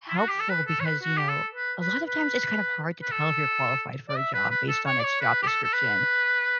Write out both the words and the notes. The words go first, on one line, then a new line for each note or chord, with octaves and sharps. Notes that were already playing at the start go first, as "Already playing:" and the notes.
helpful because, you know, a lot of times it's kind of hard to tell if you're qualified for a job based on its job description.
E4
F#4
G4
A4
B4
A4
C#5
B4
F#4
G4
A4
B4
B4
B4
B4
A4
D5
E5
B4
B4
A4
C#5
D5
C#5
B4
G4
A4
A4
B4